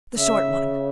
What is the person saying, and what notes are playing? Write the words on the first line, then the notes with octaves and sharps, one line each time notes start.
"The short one."
C#3 E5